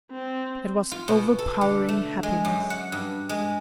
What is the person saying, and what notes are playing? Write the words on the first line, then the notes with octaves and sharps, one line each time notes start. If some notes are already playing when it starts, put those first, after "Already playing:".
It was overpowering happiness.
C4
F4
B2
A4
D3
A3
G#3
F#2
F#5
G2
G#3